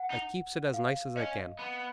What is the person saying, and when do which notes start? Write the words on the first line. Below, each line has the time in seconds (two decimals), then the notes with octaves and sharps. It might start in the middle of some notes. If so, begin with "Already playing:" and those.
I keeps it as nice as I can.
Already playing: F#5
0.10 D#4
0.74 F5
1.16 C#4 D#5
1.59 B3